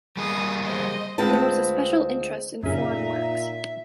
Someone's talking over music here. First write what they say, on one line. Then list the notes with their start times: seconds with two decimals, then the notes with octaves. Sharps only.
There was a special interest in foreign works.
0.17 G3 A#3 G#4 D#6
0.65 C5 D#5
1.18 D2 G#3 C4 F4 B4 A5
2.63 F#2 A#2 C#3 D#4 E5